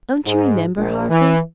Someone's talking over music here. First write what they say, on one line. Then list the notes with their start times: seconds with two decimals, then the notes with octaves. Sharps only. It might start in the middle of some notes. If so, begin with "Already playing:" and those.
Don't you remember, Harvey?
0.25 G#2
0.76 A#1
1.09 E3